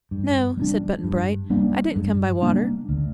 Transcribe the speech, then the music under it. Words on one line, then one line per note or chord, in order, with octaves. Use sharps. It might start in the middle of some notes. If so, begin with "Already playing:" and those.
"No," said Button-Bright; "I didn't come by water."
G2
G3 A#3 D4
G2
G3 A#3 D4
G2
G3 A#3 D4
D2